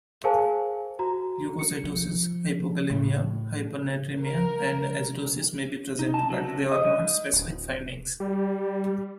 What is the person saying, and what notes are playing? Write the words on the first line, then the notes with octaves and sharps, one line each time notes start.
Leukocytosis, hypokalemia, hypernatremia, and acidosis may be present, but they are not specific findings.
G#4 A#4 C5 F5 G#5 A5
F#4 A#5
C#7
F3
A2
A#4
D#4
A5
F#3
C3
D#5
G2
G#2
D1
G3